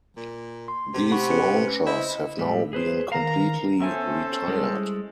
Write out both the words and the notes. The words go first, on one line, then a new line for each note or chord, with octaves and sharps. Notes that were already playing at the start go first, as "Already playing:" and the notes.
These launchers have now been completely retired.
A#2
C6
C3
F#5 B5 C#6
C#4 B4 C#7
E4 C5 D#5
A2 G3 G#3
G#4 B4 C5
D#3 A#4 F5 A#5
B3 C#4 A4 C5 E5 G#5
G3 G#3 E4